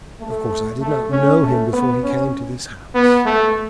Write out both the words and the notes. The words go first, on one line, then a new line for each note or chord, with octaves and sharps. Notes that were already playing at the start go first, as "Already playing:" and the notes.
Of course I did not know him before he came to this house.
A3
A3
C#4
A3
B3
C#4
B3
A3